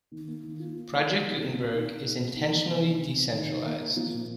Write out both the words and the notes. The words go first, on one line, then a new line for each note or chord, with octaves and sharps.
Project Gutenberg is intentionally decentralized.
D#3
A#3
D#3
F4
A#3
D#3
A#3
D#3
A#2
A#2
D#4
D#4
A#2
A#3
D#4
A#3
C3
D#3
C3
C3
D#3
D#3
A#3
A#3
F3
A#2